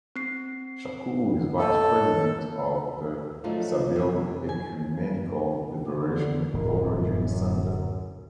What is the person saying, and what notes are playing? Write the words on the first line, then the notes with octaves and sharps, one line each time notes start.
Chacour is vice president of the Sabeel Ecumenical Liberation Theology Center.
C4 C7
A4 C#5 D#5 A5
F3 F#3 A3 D4 D#4 F4
C3 C#5
G#5
D3
D1 G#3 F4 A#4
F#2